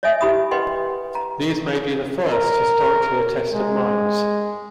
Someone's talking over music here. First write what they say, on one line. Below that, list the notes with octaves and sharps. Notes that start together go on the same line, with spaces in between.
These may be the first historically attested mines.
C#5 D#5 E5 G#5 D#6
E4 G4 B5 D#6
B4 D#5 F#5 G5 C6
A#5
A#4
G#3